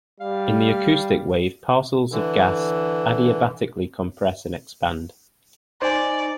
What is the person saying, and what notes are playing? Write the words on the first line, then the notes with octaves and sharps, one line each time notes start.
In the acoustic wave, parcels of gas adiabatically compress and expand.
G3 F5
D3 E3
D#4 C5 D5 G#5